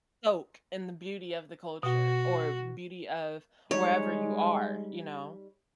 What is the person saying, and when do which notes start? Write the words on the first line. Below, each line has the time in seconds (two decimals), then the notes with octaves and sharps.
soak in the beauty of the culture or beauty of wherever you are, you know?
1.83 B2 F#4
3.71 G3 G#3 D#4 C#5